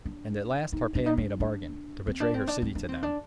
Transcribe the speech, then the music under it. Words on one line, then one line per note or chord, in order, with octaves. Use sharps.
And at last Tarpeia made a bargain, to betray her city to them.
D4
D#4
D4
D#4
D4
D4
C4
D4
C4
D4
C4
D4
C4
D4